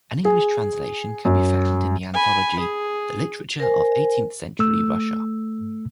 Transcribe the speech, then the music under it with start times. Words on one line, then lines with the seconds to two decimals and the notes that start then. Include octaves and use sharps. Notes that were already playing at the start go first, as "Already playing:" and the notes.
An English translation can be found in the anthology "The Literature of Eighteenth-Century Russia".
0.25 G#4
1.25 F#2
2.14 G#5 B5
2.59 G#4
3.60 A#4 C5 G#5
4.59 A3 E6